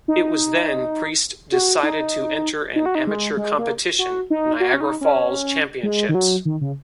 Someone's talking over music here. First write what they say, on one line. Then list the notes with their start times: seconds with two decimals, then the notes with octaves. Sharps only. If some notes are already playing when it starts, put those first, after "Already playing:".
It was then Priest decided to enter an amateur competition, Niagara Falls Championships.
0.08 D#4
1.52 F#4
1.83 D#4
2.76 D#4
2.86 F#4
2.95 D#4
3.07 G#3
3.37 G#3
3.58 A#3
3.99 F#4
4.30 D#4
4.60 F#4
4.74 C#4
4.81 D#4
5.01 C#4
5.83 G#3
6.09 D#3
6.15 F#3
6.45 D#3
6.61 C#3